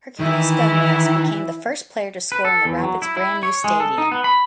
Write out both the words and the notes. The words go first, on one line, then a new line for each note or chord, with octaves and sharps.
Herculez Gomez became the first player to score in the Rapids' brand new stadium.
D#3 E3 E4
B4
A4
E2
F#3
E4
E4
C#5
G#3
A4
D#4
B3
B5